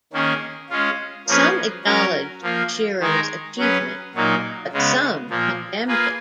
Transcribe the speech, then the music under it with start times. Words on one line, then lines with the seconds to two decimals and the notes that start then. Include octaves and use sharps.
Some acknowledged Shirer's achievement but some condemned it.
0.13 D#3 A#3 C#4 G#4
0.70 G#3 C#4 F4
1.28 F3 A#3 C#4 G#4 B4
1.85 F#3 C#4 F#4 A#4
2.42 F3 A#3 F4
3.00 D#3 G#3 D#4 A#4
3.58 F#3 C#4 G#4 B4
4.15 A#2 F#3 A#3 D#4
4.73 C#3 G#3 B3
5.30 A#2 F3 A#3
5.87 A#3 F4 G#4 B4